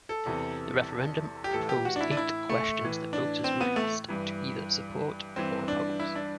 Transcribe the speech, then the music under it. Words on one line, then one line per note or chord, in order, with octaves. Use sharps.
The referendum proposed eight questions that voters were asked to either support or oppose.
A4
E2 C3 E3
G4
A2 E3 A4
G4
F#4
D4
E4
D4
E4
A3
A2 E3
D4
C4
B3
A3
G2 E3
G2 E3 C4
D4
E4
D4